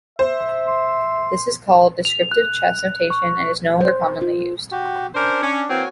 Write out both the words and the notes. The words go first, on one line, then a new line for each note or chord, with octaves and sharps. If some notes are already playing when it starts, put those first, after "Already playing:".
This is called descriptive chess notation and is no longer commonly used.
C5 E5
C6
F7
F#6
C#6
C5
F4
F#4 G4
C#4 D4 A#4 C5
C#4
E3 A#3 C4 F#4 C#5 G#5